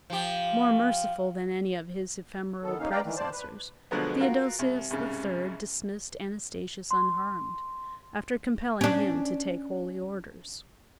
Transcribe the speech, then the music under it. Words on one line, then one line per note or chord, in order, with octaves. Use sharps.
More merciful than any of his ephemeral predecessors, Theodosius III. dismissed Anastasius unharmed, after compelling him to take holy orders.
F3 G4
D#3 B3 A4
C3 A#3 C#4 D#4 F5
B4 D5 F5 G5 A#5
D#3 E3
C5 D5 A5
B4
B2 D3 F3 F#3 G#3 B3
F4 F#4 A#4
C2
C2 G#2 C#3
C6
C#4 D4